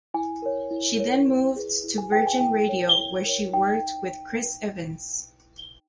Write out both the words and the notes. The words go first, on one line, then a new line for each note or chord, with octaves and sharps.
She then moved to Virgin Radio where she worked with Chris Evans.
E4 G#5
A#4 C#5
E4
A#4 C#5
E4
G#4 B4
E4
G#5
G#4 B4 G5
G#5
E4 G5
A#4 C#5
E4
A#4 C#5
D#4 G5